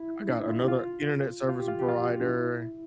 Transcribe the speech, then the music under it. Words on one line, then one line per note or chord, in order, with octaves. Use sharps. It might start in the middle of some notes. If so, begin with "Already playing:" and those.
I got another internet service provider
Already playing: E4
D4
E4
F4
G4
F4
F4
G4
F4
G4
F4
F4
D4
E4